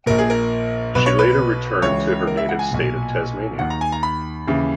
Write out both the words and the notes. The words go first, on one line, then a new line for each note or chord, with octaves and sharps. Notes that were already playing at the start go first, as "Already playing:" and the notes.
She later returned to her native state of Tasmania.
A#1 A#2 A#4
G#4
A#4
B1 B2 B4
C#5
B4
C#2 C#3 E3 C#5
A#4
E5
F#5
G#5
B1 A#2
D#2 D#3 F#5
A#5
G#5
A#5
B5
D#2 C#3 E3